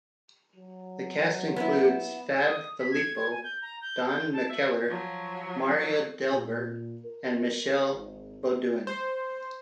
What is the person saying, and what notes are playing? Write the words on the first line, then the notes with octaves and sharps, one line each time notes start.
The cast includes Fab Filippo, Don McKellar, Marya Delver and Michelle Beaudoin.
F#3
B3 E4
E6
D#6
B6
G#6
G#6
G#5
G6
A#5
G6
G6
A5
E5
F3 F#3
A#2
A#4
G#1
C5